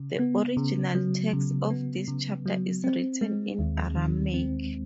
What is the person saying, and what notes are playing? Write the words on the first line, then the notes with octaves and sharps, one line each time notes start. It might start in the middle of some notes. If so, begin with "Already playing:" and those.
The original text of this chapter is written in Aramaic.
Already playing: C#3
B3
C#3
F#3
C#3
B3
C#3
F#3
C4
G#3
D#2
D#3
C4